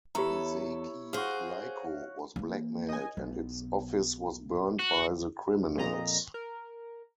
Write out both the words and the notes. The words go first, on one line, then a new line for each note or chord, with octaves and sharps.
Ezaki Glico was blackmailed and its office was burned by the criminals.
E2 E4 G4 A4 C#5 A#5 B5
F#4 G#4 C5 F5
E3 A#3
D#5 G#5
B1 B3
F#4 F#6
F2 A#2 D#5 A#5
A#4